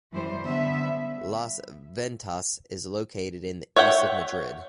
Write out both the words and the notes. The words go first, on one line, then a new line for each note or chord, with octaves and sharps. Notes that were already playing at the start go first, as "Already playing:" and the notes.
"Las Ventas" is located in the east of Madrid.
F#2 E3 G3 C5
D3 B3 E5
C#5 E5 F#5 G5